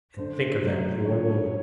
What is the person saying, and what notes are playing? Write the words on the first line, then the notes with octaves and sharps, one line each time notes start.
And think of that poor woman!
D3 C5
F#3 A3
D3 C#5